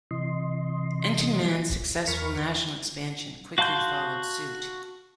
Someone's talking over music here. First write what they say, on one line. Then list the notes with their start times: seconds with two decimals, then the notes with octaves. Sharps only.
Entenmann's successful national expansion quickly followed suit.
0.11 C3 E3 D#5 C6
2.07 E2 A#4 B5 C#6 F6
3.58 F#4 F5 A5 C6 G6